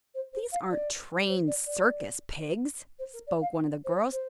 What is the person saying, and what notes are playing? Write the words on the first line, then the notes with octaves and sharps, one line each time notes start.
"These aren't trained circus pigs," spoke one of the girls.
C5
C5
F5
D5
C5
D5
D5
C5
A#4
D5
F5
C5
C5